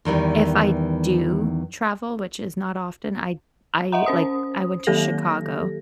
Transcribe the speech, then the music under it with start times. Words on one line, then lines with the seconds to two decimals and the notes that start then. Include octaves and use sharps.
If I do travel, which is not often, I I, like, I went to Chicago,
0.05 E2 D#3 E3 G3
3.92 D#5 E5 F#5 A#5
4.06 C#4 C5 D#6
4.87 D#3 F#3 A#3 G4 A4 A#6